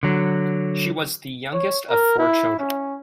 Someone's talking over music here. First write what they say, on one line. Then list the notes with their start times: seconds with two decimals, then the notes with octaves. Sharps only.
She was the youngest of four children.
0.03 D3 F#3
1.53 C#5
1.90 A#4
2.19 E4
2.59 C#4